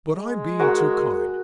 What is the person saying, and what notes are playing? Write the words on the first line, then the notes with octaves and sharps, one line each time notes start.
But I'm being too kind.
G#3
F#4 G#4 A#4